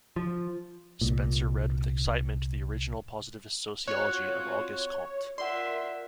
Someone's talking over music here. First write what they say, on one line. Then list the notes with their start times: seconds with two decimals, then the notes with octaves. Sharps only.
Spencer read with excitement the original positivist sociology of Auguste Comte.
0.16 F3
1.01 C2 A#2
3.88 C4 F4 F#4 C#5 F#6
5.38 F4 A#4 D5 E5 F#5 C6